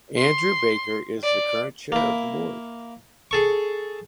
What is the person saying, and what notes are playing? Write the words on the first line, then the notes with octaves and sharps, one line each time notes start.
Andrew Baker is the current chair of the board.
C6
D5
A#3 E4
G#4 A4 C#6